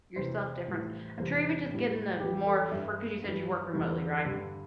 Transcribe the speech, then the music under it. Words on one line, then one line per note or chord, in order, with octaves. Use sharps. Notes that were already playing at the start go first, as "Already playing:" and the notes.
yourself difference. I'm sure even just getting the more fri 'cause you said you work remotely, right?
E2 C3 E3 G3 C5
A2 E3 G3
E2 C3 G3 C5
A2 G3
E2 E3 G3 G4
A4
G2 G3 E5
G2 E3 G3
E2 D3 G3
G2 D3 G3